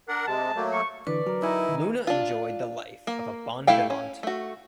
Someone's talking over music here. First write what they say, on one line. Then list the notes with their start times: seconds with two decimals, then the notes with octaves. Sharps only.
Luna enjoyed the life of a "bon vivant".
0.08 D4 A#4 F#5
0.27 C3 G#3 A5
0.56 F#3 A3 A#3
0.73 C#6
1.07 D3 E3 B4 D5
1.26 F#3 A#4
1.42 D#4 E4 G#5
1.69 D#3
2.07 D4 F4
3.07 A#3
3.67 A3 E4 G4 F5 G5
3.90 C#4
4.23 A3 F#4